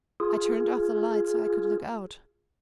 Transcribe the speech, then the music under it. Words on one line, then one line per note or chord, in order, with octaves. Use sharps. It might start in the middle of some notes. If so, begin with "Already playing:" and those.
I turned off the light so I could look out.
F4 G#4